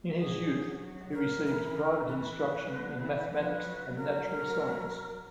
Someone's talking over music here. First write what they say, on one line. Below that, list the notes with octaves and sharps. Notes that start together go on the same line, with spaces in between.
In his youth he received private instruction in mathematics and natural science.
F#3 G#4
F#3
A#4
E3 A#4
E3 B4
D3
E3
F3 B4
F#3
A#4